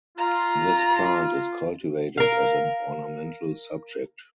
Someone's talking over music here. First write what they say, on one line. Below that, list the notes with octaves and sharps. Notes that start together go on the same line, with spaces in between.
This plant is cultivated as an ornamental subject.
F4 A#5
A#4 F5